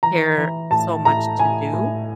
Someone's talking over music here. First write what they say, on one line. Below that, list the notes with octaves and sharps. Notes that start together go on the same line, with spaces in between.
care so much to do,
E3 A#5
E3
A2 A5
A2 A#5
A2 G#5
A2